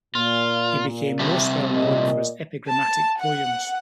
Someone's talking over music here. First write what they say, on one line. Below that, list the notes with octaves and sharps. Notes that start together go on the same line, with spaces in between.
He became most well known for his epigrammatic poems.
A#2 F4
C3 G3 A3
A#2 D#5
A5
F#5